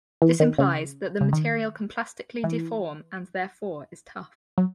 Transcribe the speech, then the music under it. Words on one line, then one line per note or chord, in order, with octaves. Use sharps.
This implies that the material can plastically deform, and, therefore, is tough.
E3
D#3
C#3
C#3
D#3
E3
F#3